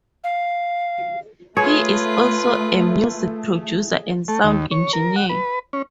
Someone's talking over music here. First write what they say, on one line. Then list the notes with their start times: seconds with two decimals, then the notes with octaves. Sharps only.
He is also a music producer and sound engineer.
0.24 F5
1.57 A3 F4 G#4 B4 C#5
4.28 A3
4.44 D#2
4.71 C#5
4.93 A#4
5.16 F#5
5.29 B4
5.73 C#4